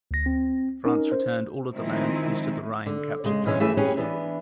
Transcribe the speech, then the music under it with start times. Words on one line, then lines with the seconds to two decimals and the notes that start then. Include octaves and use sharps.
France returned all of the lands east of the Rhine captured during the war.
0.11 D2 A#6
0.26 C4
0.85 C#4 D#4 A#4
1.12 C5
1.72 D#3 F3 G#3 C4 D#4 E4
2.86 D3
3.24 C#3 G#3
3.45 B2 E3 G#3 C#4
3.60 G2 E3 A3 G#4 E5
3.77 C#4 G4 G#4 B4
3.97 E3 B3 D4